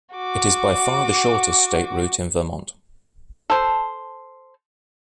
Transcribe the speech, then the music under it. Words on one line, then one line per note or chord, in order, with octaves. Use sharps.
It is by far the shortest state route in Vermont.
F#4 D6
A4 C5